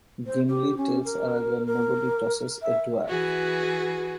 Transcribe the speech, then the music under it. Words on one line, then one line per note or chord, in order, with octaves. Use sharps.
Gimli tells Aragorn, Nobody tosses a dwarf!
C5
G4
C#4
A#4
A#4
E5
E3 F#4 G#4 B4